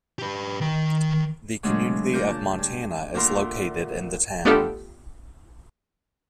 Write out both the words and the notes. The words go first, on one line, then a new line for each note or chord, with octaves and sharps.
The community of Montana is located in the town.
G4 B4
D#3 G5
C#3 F#3 G#3 A3 D4
A#2 A#4 G6
A5
G2
D2 A#2 A#4 E5 A#5 C6
A3 B3 D4 F4 G4 A4